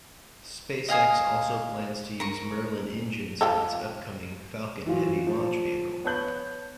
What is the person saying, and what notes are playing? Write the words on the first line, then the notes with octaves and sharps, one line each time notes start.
SpaceX also plans to use Merlin engines on its upcoming Falcon Heavy launch vehicle.
D#5 F5 G#5 D#6
A#4 C#6
F4 G4 A4
E3 F#3 F4
F3
B3 C#5 A5 G6 F#7